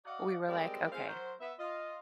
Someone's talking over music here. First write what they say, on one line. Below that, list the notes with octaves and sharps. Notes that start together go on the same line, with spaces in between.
we were like, "Okay.
F#4 D5 D#5 F5 F#5
G3 G#3 C4 G4 A#4 D5
G#3 C4 F4 C5 F5
F#3 F#4 A#4 C5
B3 E5
F4 D#5